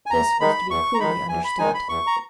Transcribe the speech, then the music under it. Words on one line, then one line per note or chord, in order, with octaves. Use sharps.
This was to be clearly understood.
G#5
E2 A#5
D#3 G#3 D#4 B5
E2 C#6
A#5
D#3 G#3 D#4 B5
E2 G#5
B5
D#3 G#3 D#4 G#5
B5
E2 C#6
A#5